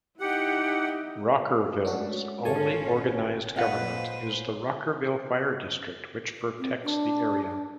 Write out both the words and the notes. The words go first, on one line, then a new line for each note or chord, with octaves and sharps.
Rockerville's only organized government is the Rockerville Fire District, which protects the area.
D#4 E4 G4 F#5
G#3 A3 C#4 D4 F#4
G#1 C#4 F4 A4 A#4 C#5 G#5
A#2 B4 C5 D#5 F5 F#5
C4
D4